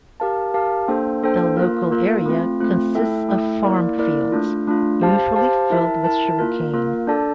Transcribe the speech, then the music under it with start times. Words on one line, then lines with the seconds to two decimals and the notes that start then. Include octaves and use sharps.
The local area consists of farm fields, usually filled with sugar cane.
0.20 G4 A#4 F5 A5
0.54 G4 A#4 F5 A5
0.88 A#3 D4 A4 C5 G5
1.23 A#3 D4 A4 C5 G5
1.57 A#3 F4 A#4
1.91 A#3 F4 A#4
2.26 A3 C4 F4
2.61 A3 C4 F4
2.95 A3 E4 A4 E5 G5
3.29 A3 E4 A4 E5 G5
3.64 A#3 E4 A#4 D5
3.98 A#3 E4 A#4 D5
4.32 A3 D4 F4
4.67 A3 D4 F4
5.02 G4 C5 F5 A5
5.36 G4 C5 F5 A5
5.70 E4 A#4 E5 A5
6.04 E4 A#4 E5 A5
6.39 A#3 F4 A#4
6.74 A#3 F4 A#4
7.07 D4 A4 D5 A5